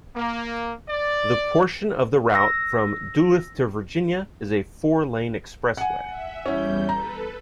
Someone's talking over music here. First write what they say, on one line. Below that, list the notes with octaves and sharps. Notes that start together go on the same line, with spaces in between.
The portion of the route from Duluth to Virginia is a four-lane expressway.
A#3
D5
E6 A#6
F#5 G#5
E5
E2 G3 C#4 E4 G6
A4 B4 A#5